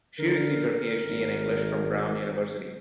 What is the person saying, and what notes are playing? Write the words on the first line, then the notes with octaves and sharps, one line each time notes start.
She received her Ph.D. in English from Brown University.
D3 A#4
G#1